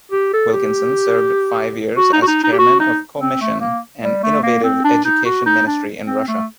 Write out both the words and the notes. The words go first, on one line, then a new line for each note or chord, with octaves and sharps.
Wilkinson served five years as chairman of CoMission, an innovative education ministry in Russia.
G4
A4
G4
F#4
D#4
F#4
D#4
D#4
G4
F#4
D#4
C4
A3
A#3
G3
A3
A#3
C4
D4
D#4
F#4
D#4
D4
C4
A3